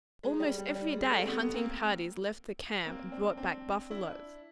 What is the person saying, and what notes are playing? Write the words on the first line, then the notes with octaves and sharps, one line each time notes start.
Almost every day hunting parties left the camp and brought back buffaloes.
G#3
G3
G3
G3
G#3
G3 A3
C4
A3 B3
A#3 C4
A#3 C4
C4 D4
C4 D4
D4 E4